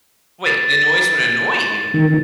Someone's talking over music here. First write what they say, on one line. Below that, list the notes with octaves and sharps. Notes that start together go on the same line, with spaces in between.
Wait, the noise would annoy you?
A6
D#3